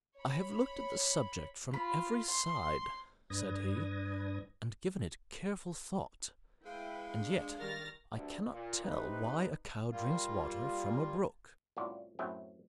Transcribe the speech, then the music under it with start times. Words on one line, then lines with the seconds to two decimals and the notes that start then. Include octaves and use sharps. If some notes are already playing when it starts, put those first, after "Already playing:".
"I have looked at the subject from every side," said he, "and given it careful thought, and yet I cannot tell why a cow drinks water from a brook."
0.18 C#5 B5
1.74 F4 B5
2.31 C6
3.30 G2 D4 B4 D#6 G#6 A#6
6.65 G#3 E4 B4 F5 G5
7.19 D4
7.59 D#3 G3 A#4 F6 A6 A#6
8.12 D2 G2 D3
8.51 A#2
8.84 C3 D#4 B4
9.92 G3 A#3 F4
11.77 C2 A2 C#4 F4 F#4 D5
12.19 F#2 A2 F#3 A3 C4